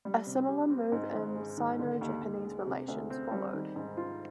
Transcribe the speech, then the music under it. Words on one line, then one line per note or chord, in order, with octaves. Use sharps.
A similar move in Sino-Japanese relations followed.
G3
C3
G4
C4
G#2
G#1
G#3
D#3
D3
D#2
D#2
G#3
C3
D2
C4
G3
D#3
G#2
F4